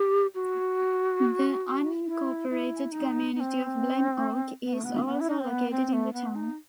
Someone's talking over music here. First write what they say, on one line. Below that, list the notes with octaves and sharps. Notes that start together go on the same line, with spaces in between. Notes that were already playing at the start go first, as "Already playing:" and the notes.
The unincorporated community of Glen Oak is also located in the town.
Already playing: G4
F#4
E4
E4
D#4
D#4
C4
B3
A3
B3
B3
E4
D#4
C4
B3
C4
A3
B3
D#4